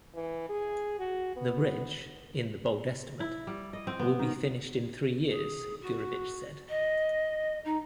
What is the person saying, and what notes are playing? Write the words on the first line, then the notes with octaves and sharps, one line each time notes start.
"The bridge, in the bold estimate, will be finished in three years," Gurevich said.
E3
G#4
F#4
B3
E4
G3
D#5
C4
B3
D#3
G#4
F#4
D#5
D#4